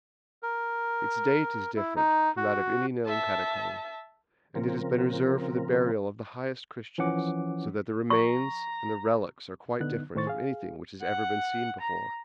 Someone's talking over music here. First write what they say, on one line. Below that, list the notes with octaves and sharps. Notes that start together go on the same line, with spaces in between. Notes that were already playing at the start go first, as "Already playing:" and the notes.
Its date is different from that of any known catacomb, and it has been reserved for the burial of the highest Christians, so that the remains and the relics are quite different from anything which has ever been seen before.
A#4
E4
D#4
F#4
E5 A5
C#3 F3 C4 A#4
E3 F3 C#4 F#5 D6
A#5 C#6
D3 B3 D#4 F#6
A2 D#3 C5 C#6 A6
G#4 F5
F#5
A#5